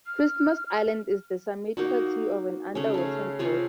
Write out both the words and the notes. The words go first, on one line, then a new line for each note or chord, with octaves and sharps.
Christmas Island is the summit plateau of an underwater volcano.
F6
A#3 D#4 F#4
C#3 A3 C#4
A3 F5
C3 F4 G#4 C#5